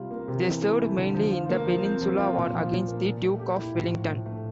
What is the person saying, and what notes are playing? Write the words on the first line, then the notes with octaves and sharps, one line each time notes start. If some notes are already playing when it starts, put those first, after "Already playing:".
They served mainly in the Peninsula War against the Duke of Wellington.
Already playing: C3 G3 F4
A#3
C3
E3
E4
A3
D3
F3
F4
A#3
F3
C4
F3
F4
A#2
F3
A#2
A#3
A#2
A3
G4
E4
A2
F3
A2
A3